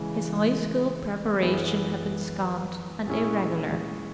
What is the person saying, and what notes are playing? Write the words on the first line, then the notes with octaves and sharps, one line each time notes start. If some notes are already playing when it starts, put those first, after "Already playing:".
His high school preparation had been scant and irregular.
Already playing: C#3 E3 G#3
F#2 E3 B3 E4 G#4
A#2 G#3 C#4 E4 G#4